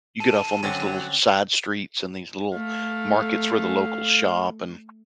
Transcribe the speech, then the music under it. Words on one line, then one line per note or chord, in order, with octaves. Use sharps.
you get off on these little side streets and these little markets where the locals shop, and
D#3 A4 D#7
D3 F#3 C4 C#4
A3 A4 F5